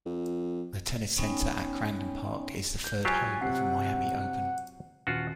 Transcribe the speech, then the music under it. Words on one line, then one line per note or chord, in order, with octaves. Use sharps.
The Tennis Center at Crandon Park is the third home of the Miami Open.
F2
B3 C#4 D#4 C#5 G5 G#5
G6
F#3 F4 G4 G#5
C3 F#5 C7
D#1 F4 F#4